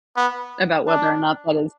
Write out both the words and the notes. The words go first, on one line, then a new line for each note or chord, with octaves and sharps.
about whether or not that is
B3
D4